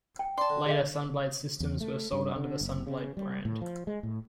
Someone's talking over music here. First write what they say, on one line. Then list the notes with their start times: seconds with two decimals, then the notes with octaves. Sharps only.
Later Sun blade systems were sold under the Sun Blade brand.
0.19 G5
0.38 D5 A5 C6
0.50 D3
0.66 G#4 D#5 F5
1.60 E2
1.80 A3
2.13 G2
2.36 D3
2.61 F#1
2.87 C#3
3.17 G3
3.45 A2
3.61 F3
3.87 G#3
4.03 A2